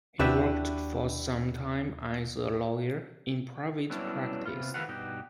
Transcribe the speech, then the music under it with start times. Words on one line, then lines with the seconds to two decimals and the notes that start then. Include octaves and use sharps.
He worked for some time as a lawyer in private practice.
0.19 D#2 D4 E4 F#4 G4 B4 E5
3.90 F#3 G3 B3 C#4 D4 E4
4.45 C3 B3 F4
4.74 D#3 A3 F#4 B4 F5 F#5
4.88 G2 B2 D#4 F#4 G4